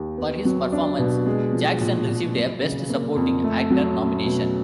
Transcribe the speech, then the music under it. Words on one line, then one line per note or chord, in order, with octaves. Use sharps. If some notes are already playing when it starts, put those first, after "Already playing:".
For his performance, Jackson received a Best Supporting Actor nomination.
Already playing: D#2
B3
F#3
D4
B2
G#3
F3
A#2
A#2
F#3
C#3
A#3
F2
A3
F#3
C#4
B2